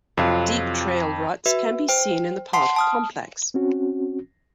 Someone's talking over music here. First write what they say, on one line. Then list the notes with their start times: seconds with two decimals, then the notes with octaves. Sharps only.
Deep trail ruts can be seen in the park complex.
0.17 F2 C3 F#3 F4
1.46 F#4 B4 E5
1.89 C5 G5
2.53 F#5 A5 C6 C7
2.76 A5 D#6 F6
3.54 C4 C#4 F#4